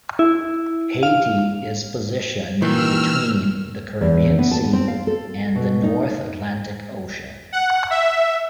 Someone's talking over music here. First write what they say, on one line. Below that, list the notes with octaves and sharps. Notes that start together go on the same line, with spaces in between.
Haiti is positioned between the Caribbean Sea and the North Atlantic Ocean.
E4
F5
F#2 A#2 D#3 E3 E6 F6
E2
B3
A5
C4
F5
A4
B2
D#4
F#5
E5